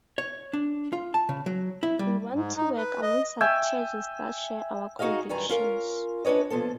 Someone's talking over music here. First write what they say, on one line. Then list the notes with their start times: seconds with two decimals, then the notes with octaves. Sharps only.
We want to work alongside churches that share our convictions.
0.18 C#5
0.53 D4
0.93 F4
1.14 A5
1.29 C#3
1.46 F#3
1.83 E4
1.99 G3
2.33 G#2
2.56 D#4
2.77 B4
3.02 D#5
3.41 E5 G5 G#5
4.99 D#4 F#4 G#4 D#5 F5
5.29 F#2 D#3 G3 B4 G#5 A#5
5.49 C#4 F4 A#4
6.25 C#4 D4 B4 C#5 D#5
6.50 A#2 F3 B3 A4